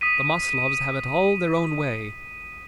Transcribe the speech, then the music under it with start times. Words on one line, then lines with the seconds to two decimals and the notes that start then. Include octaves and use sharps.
The Maslovs have it all their own way.
0.01 D#6 B6 D#7